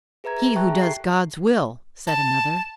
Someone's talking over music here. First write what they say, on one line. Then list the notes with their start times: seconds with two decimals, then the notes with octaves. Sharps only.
"He who does God's will," said another.
0.24 G#4 B4 E5 A#5 G#6
0.37 G#4 A#5
0.56 E5 G5 A5 A#5 C#6 F#6
0.67 G#4
0.81 G4 A4 C7
2.07 A5